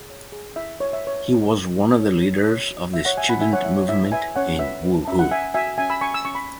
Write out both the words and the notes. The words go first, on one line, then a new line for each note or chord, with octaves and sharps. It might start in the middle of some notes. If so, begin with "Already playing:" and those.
He was one of the leaders of the student movement in Wuhu.
Already playing: G#4
C#5
G#4
E4 E5
E4 C#5
E5
B4 C#5
E4
C#5
E4
C#5
C#5
F#4 C#5
F#4
F#4 E5
C#5 F#5
C#5 E5 G#5
F#5 B5
E4 E5 G#5
C#5 F#5
E4 E5
C#5
E4 E5
B4 E5 G#5
C#4 C#5 F#5
B4 E5
B4
C#4 E5
F#5
B4 E5 G#5
F#4 E5 G#5
C#4 E5 G#5
B5 E6
C#4 G#5 C#6
E6
C#4 C#6
B5